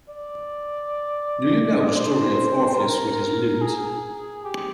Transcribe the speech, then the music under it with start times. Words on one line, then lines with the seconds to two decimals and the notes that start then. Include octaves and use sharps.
Do you know the story of Orpheus with his lute?
0.09 D5
1.79 D#5
1.87 D5
1.96 C5
2.73 C5
2.78 A#4
3.61 G#4
4.44 G4